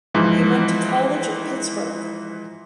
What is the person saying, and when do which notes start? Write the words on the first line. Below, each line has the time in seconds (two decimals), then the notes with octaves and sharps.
He went to college at Pittsburgh.
0.14 G#2 E3 F3